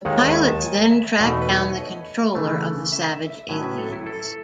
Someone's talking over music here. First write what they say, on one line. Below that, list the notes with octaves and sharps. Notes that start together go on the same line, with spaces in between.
The pilots then track down the controller of the savage aliens.
D#2 D#3 G#3 D#4 F#5
A5
G#5
A5
G#5
E5
E2 B2 A3 D#4 D#5
B4
C#5
D#5
C#3 E3 A3
E5
E5
E5
A2 F#3 C#4 G#5
B4
A4
E4
A4